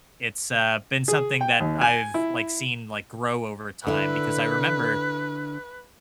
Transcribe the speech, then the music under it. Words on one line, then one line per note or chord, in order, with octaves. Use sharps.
It's, uh, been something that I've, like, seen, like, grow over time because I remember
G#4
G5
D#2
G#5
E4
D3 E4 B4